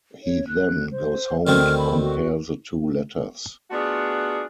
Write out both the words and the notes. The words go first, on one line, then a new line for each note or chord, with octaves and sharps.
He then goes home to compare the two letters.
C#5
F#6
C5
D2 D#3 C4 F6
B5
F#4
A3 B3 D4 F4 F#4 G#4